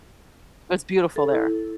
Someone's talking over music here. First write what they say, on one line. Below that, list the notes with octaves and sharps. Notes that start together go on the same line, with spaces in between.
It's beautiful there.
A4
E4